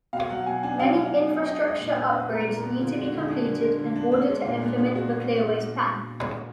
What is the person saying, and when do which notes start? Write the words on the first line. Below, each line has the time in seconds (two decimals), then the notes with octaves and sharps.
Many infrastructure upgrades need to be completed in order to implement the Clearways plan.
0.13 B2 F5
0.30 F#3 F#5
0.46 B2 G#5
0.63 D4 G#5
0.79 B2 F5
0.96 F#3
1.13 B2
1.29 D4
1.46 D4 D#5
1.63 G#3 D#5
1.80 A#2
1.90 B4
1.96 B3
2.12 D4 B4
2.29 G#3
2.34 A#4
2.46 A#2
2.57 A#4
2.63 B3
2.79 D3 F4
2.95 G#3
3.01 F#4
3.12 D3
3.23 G#4
3.29 D4
3.45 D3
3.62 G#3
3.79 D3
3.96 D4
4.12 D4
4.28 G#3
4.45 A#2
4.62 B3
4.78 D4 F4
4.95 G#3 F#4